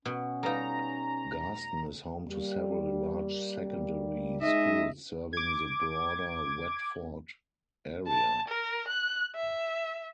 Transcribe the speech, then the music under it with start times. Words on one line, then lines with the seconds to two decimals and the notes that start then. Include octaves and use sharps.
Garston is home to several large secondary schools serving the broader Watford area.
0.05 B2 C#4
0.43 G3 D#4 A4 B4 F5 A#5
2.28 G3 A#3
4.41 G#3 D#4 D#5 E5
5.33 D6 G#6
8.07 A5
8.48 A#4
8.88 F#6
9.36 E5